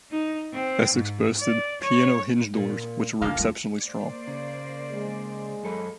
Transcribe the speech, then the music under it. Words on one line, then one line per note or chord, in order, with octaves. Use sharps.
Essex boasted "piano hinge doors" which were exceptionally strong.
D#4
C4
G#2
D5
C#5
A#2 A#3
F2 D3 A#3 D4 F5
D#2 F3 G3
A#3 C5 D5
C#3
G#3
F#2 A4 B5